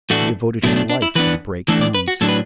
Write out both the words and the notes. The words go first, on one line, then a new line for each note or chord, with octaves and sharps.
He devoted his life to the Brake Hounds.
A2 E3 A3 D4 F#4
B2 F#3 A3 D4 E4
D4
D4
E4
E3 B3 D4 B4
E3 A3 D4 A4
D5
B4
F#4
A2 F#3 D4 A4
B4